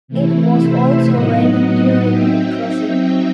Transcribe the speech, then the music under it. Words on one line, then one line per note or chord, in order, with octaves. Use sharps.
It was also raining during the crossing.
C3 E3 A3 E4
C5 E5
A2 F#3 B3 D#4 D#5 F#5
F#3 C4 D#4 E5 G5
E5 G5